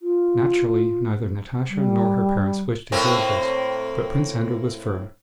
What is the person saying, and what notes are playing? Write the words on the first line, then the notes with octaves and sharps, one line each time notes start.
Naturally neither Natasha nor her parents wished to hear of this, but Prince Andrew was firm.
F4
G3
A2 A#3 C4